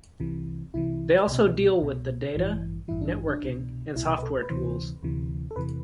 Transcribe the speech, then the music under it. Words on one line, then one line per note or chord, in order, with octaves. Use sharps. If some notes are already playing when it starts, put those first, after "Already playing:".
They also deal with the data, networking and software tools.
C2 C3 E3
C2 C3 E3 E4
C2 B2
C2 B2
A1 G2 E3
A1 G2 E3 E4
D4
D4
C2 B2
C2 B2 E4
B4
A4
B4
D2 C3 E3 C5
D2 C3 E3
A4
E2 C3 E3 B4